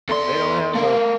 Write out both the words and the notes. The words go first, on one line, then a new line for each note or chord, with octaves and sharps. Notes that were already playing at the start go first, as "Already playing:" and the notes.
They don't have a
E2 A4 D5 C6
A3 A#4 F5